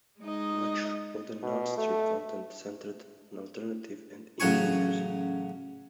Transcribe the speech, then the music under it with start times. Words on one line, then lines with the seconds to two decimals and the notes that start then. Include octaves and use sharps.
Much of the non-strip content centred on alternative and indie music.
0.20 G#3 D#4 D#5
1.43 B2
1.78 A3
4.40 A1 C#3 F#3 F#5 G#5 C#6